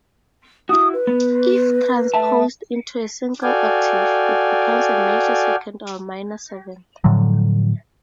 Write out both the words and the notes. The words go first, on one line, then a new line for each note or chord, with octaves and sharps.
If transposed into a single octave, it becomes a major second or minor seventh.
E4 F#4 D#6
B4
B3
A3 E5 A5
F#4 A4 D5 F5 G5 G#5
A2 D3 F3 F#3